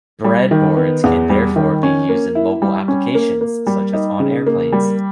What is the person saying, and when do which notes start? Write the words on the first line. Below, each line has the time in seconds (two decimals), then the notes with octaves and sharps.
Breadboards can therefore be used in mobile applications, such as on airplanes.
0.24 G3
0.51 D#3
0.77 B3
1.04 E2
1.30 G3
1.56 D#3
1.83 C#4
2.09 A#3
2.35 E4
2.62 G3
2.88 C#4
3.15 A#3
3.41 A#3
3.67 G3
3.93 D#4
4.20 C#3
4.47 A#3
4.73 G3